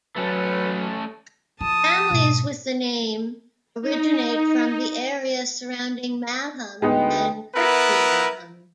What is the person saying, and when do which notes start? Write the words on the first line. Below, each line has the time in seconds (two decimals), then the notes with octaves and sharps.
Families with the name originate from the area surrounding Malham and Kirkby Malham.
0.16 F#3 A3 C#4 B4
1.61 F3 A5 D#6
2.10 G#2 B2
3.82 D#4
6.82 D2 G#3 B3 D#4 B4 G5
7.55 B3 E4 A#4 B4